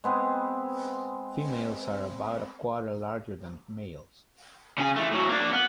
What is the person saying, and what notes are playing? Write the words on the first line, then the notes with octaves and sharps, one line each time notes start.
Females are about a quarter larger than males.
G#3 B3 C4 G#4
C#3 G#5
E3 A3
A2 F#3
A#3 D4
B3